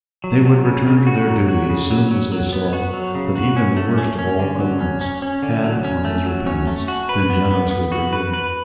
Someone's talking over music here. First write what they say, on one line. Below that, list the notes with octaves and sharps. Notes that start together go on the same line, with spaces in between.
They would return to their duty as soon as they saw that even the worst of all criminals had, on his repentance, been generously forgiven.
F#3
F#3
C#3
C#3
F#4
F#3
F#4
C#3
F#3
F#3
F#3
B3
F#4
F#3
C#3
F#4
C#4
A3
C#4
C#4
D3
F#3
C#4
C#4
C#4
D3
F#3
C#4
A3
F#3
C#4
A3
F#4
B4
B3
B3
B3
F#4
B4
B4